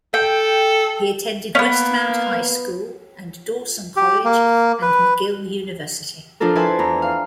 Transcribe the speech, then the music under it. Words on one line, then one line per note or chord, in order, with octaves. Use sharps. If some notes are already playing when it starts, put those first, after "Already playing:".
He attended Westmount High School and Dawson College and McGill University.
A4 G5
A#3 B3 C#4
G4
A#3
B4
F3 D4 F4 A4 A#4
E4 B4 E5 G#5 A5 C6
E2 A#5
F5